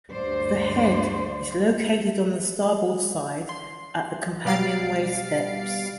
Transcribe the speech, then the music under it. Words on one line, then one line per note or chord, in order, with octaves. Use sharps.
The head is located on the starboard side at the companionway steps.
D2 G2 C5 D5
C6
B2 G3 F5 A6 C7 D7